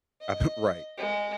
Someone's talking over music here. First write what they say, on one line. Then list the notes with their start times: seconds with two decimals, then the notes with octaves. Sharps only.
I've Right,
0.21 D#5
0.98 G#3